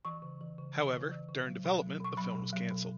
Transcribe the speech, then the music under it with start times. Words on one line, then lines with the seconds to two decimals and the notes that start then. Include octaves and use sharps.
However, during development the film was cancelled.
0.05 E3 C#6
0.22 C#3
0.41 E3
0.58 C#3
0.76 E3
0.93 C#3
1.11 E3
1.29 C#3
1.47 F#3
1.65 B2
1.82 F#3
2.00 B2 C#6
2.17 F#3 B5
2.35 B2
2.53 F#3
2.71 B2